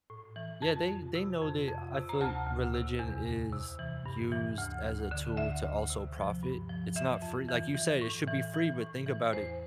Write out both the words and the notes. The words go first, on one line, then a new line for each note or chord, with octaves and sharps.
yeah, they they know they I feel like religion is used as a tool to also profit. It's not free, like you said, it should be free, but think about it,
A2
E3
F2 A5
F2
C3
F2
F2
C3
A#5
D2 A5
D2
C3
E2
E2
C3
E3
G2
E3
D2
D2
D3
D2 E5
D2
C3
F3
G2
F3
E3 E5
F2
E3
E3
A2
E3
E3
A2
E3
E2 C5